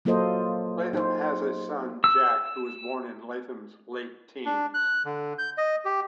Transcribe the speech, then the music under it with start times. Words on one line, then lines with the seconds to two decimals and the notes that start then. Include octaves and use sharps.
Latham has a son, Jack, who was born in Latham's late teens.
0.05 F#3 A#3 F4 A4 C5 D#5
0.93 D#4 C5
2.04 E6
4.45 D4
4.74 F#6
5.05 D3
5.39 G6
5.58 D#5
5.85 G4